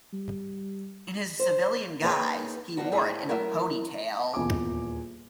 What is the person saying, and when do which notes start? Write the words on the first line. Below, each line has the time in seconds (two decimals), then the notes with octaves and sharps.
In his civilian guise, he wore it in a ponytail.
0.13 G3
1.39 C5
2.02 A#3 D#4 G#4 B4 C#5 G5
2.77 G3 B3 D4 F#4
2.92 A2 G3 C4 G#4 E5 A5
3.29 F#3 A3 E4 A#4
4.34 D#1 E2 F4 G#5 D6